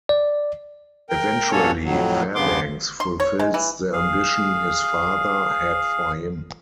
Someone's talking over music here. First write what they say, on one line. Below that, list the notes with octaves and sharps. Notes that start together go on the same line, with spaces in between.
Eventually, Fairbanks fulfills the ambition his father had for him.
D5
A#4 G5
G2 B2 A#3 C#4 A4 C#5
F2 A2 F#3
G2 C#3 B3 C6 D6
C6
C#5
G#3
E3
G#4 F5